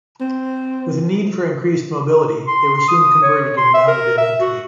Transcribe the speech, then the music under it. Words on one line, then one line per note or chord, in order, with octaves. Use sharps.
With a need for increased mobility, they were soon converted into mounted infantry.
C4
C6
C6
D#6
C#5
C6
E5
A#4
E5
F#4